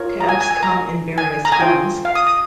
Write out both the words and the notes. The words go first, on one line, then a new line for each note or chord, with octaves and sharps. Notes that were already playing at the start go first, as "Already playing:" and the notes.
Tabs come in various forms.
Already playing: F4 A#4 C#5
A#5
G#5
G#5
G#5
A#5
G#5
A#5
G#5
F4 C5 G5
F5
D#6
D#6